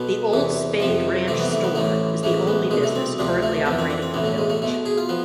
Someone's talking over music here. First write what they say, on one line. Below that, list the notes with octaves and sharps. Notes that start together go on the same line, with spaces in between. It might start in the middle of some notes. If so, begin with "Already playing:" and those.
The Old Spade Ranch Store is the only business currently operating in the village.
Already playing: B1 B2 B3
E2 C3 E3
F2 C3 F3
C2 C3 E3 A3
B3
A3
B3
A1 A2 E3 A3
A1 G#2 E3 A3
B3
C2 B2 G#3
A3
C4
D2 C3 F3 D4
A3
F2 E3 B3
C4
D4
C4
B1 A2 E3 B3
A3
G#3
A3
B1 B2 A3
G#4
F4
F3 B3